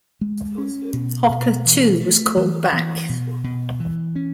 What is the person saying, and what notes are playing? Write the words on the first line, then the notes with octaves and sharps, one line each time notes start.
Hopper, too, was called back.
G#3
C#4
B2
B2
E3
A3
E3
E3
B2
B2
E3
C#4